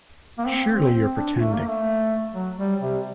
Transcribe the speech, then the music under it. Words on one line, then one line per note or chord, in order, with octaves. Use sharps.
Surely you’re pretending.
A#3
C4
C4
C4
D4
A3
A#3
A3
F#3
G3
C3